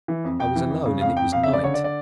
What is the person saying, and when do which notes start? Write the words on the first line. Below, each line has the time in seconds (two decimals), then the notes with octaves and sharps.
I was alone and it was night.
0.08 E3
0.24 F2
0.39 F2 G5
0.56 E3
0.70 F2
0.86 C#3
1.01 F2 F5
1.17 F2 G5
1.32 F2 F5
1.43 E5
1.48 C#3
1.53 D5
1.64 D3 C#5
1.74 D5
1.84 D5